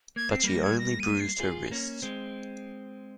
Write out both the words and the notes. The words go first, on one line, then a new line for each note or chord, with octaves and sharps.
But she only bruised her wrists.
A#3 G#6
C4 C7
G3 A#3 A#6
G#6
A#6
D#7
C7
F4 G#4
A#3 C#4
G#3 C4